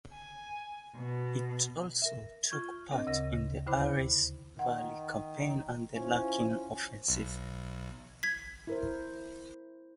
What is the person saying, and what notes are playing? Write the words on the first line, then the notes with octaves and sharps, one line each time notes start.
It also took part in the Aras Valley campaign and the Lachin offensive.
G#5
B2
A#4 E5
F4 C#6 G6 G#6
C4 D4 A#4 D#5
D2 C#3 A#4 D#5 A#6
D#2 D3 E4 C5 B5 D6
D#3 F#5
C#4 E4 F4 C5
B1
G#6 B6
E4 A#4 C5